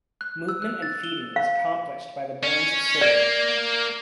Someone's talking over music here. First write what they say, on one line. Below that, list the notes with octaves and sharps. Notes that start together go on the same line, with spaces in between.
Movement and feeding is accomplished by the bands of cilia.
F#6
E6
F#6
A6
G7
F5
C#4
A#3 D5